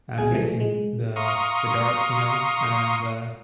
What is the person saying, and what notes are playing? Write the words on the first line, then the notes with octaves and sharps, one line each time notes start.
I'm missing the the dart, you know, and, uh,
C#2 B2 G#3 G#4 G#5 G#6
E3 F3 G3 A3
G#3
F5 A#5 C6 C#6 D#6